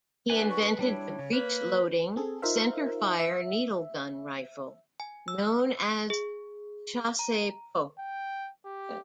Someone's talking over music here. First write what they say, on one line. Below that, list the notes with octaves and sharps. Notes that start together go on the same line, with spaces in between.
He invented the breech-loading, center-fire needle gun rifle known as the Chassepot.
D4 F#4 B4 E5 G#5
C#6
G3 D4 E4 C#5
C#3
A#3 B4
C4 G#4 A4
D#4 F4 A#4 C5 E5 F5
E5
G#5
E6
G#4
A#5
G5
G4